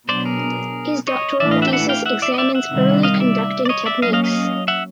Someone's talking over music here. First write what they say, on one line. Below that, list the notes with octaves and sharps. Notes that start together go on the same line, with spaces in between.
His doctoral thesis examines early conducting techniques.
B2 F#3 B3 D4 C5 D5
G#4 A#4
C#5 D#5
A2 E3 A3 D4 D5 E5
D#5 F5
E5 F#5
G5
E5 F#5
F5 G5
E5 F#5
D5 E5
D#5
D5 E5
E5 F#5
C3 D#3 G3
D#5 F5
D5 E5
D5
C#5 D#5
D5 E5
F#3 A#3 C#4 D#5 F5
D#5 F5
D#5 F5
E5 F#5